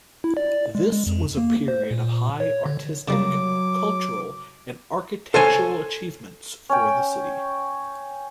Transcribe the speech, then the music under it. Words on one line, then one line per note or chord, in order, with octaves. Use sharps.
This was a period of high artistic, cultural and architectural achievements for the city.
E4
D5
G#3
G#3
F2
A#3
C5
A#2
C#5
D3
C#3 F#3 G3 A#3 D6
A4 C5 C#5 G#5
C#4 G5